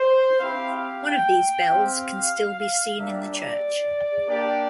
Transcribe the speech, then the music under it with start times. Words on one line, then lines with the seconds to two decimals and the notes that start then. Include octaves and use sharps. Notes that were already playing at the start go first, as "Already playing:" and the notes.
One of these bells can still be seen in the church.
Already playing: C5
0.40 C4 E4 G4 F5
0.73 F5
1.05 G5
1.70 C4 G4 F5
2.99 G3 A#3 D4 E5
3.32 D5
4.28 A#3 D4 G4 D5